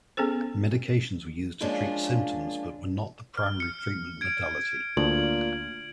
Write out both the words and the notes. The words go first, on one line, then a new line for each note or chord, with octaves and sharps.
Medications were used to treat symptoms but were not the primary treatment modality.
B3 C#4 G#4 A4 C5
F3 G#3 A#3 C#4 D4 F4
F6
F6 C#7
G#6 D7
D2 A#2 F#7